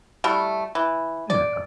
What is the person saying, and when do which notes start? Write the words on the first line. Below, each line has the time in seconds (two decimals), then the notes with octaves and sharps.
Yeah, no.
0.24 G3 A3 E4 F#4
0.75 E3
1.30 D5